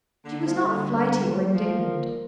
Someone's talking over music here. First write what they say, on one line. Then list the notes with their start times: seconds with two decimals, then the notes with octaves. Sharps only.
She was not flighty or indignant.
0.24 D3 A#3
0.45 F3 G3
0.60 C3
0.67 D3 G3
0.89 G3
1.10 G3
1.32 A#3
1.53 F3 D5
1.74 A#4
1.96 A#4